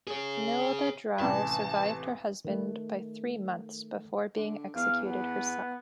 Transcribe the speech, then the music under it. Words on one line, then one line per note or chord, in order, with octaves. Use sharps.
Milda Draule survived her husband by three months before being executed herself.
G#4 C#5
A1 C3 E3 A5
D#3 A3
D3
E2 F5
B3